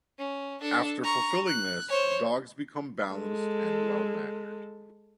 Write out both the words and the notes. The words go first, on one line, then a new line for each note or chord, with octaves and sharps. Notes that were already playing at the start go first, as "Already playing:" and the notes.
After fulfilling this, dogs become balanced and well-mannered.
C#4
D4 A4
A#5 C#6
F#6
C5 C#5
G#3 A4